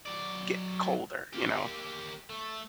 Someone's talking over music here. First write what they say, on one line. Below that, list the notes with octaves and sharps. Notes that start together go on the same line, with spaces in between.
get colder, you know,
F#3 D5
A#3 G4
A3